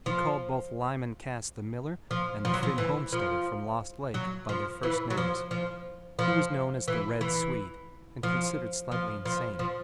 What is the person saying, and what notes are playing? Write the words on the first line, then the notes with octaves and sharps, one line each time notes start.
He called both Lyman Cass the miller and the Finn homesteader from Lost Lake by their first names. He was known as "The Red Swede," and considered slightly insane.
F3
F3
F3
F#3
F3
E3
F3
F#3
F3
E3
F#3
F3
F3
F3
E3
E3
F3
F3
F3
F3